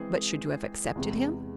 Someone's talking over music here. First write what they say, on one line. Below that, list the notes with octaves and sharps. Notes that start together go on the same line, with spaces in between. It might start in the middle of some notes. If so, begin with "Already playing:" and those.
"But should you have accepted him?"
Already playing: E3 G#3 C4 G#4
E2 C3 G#3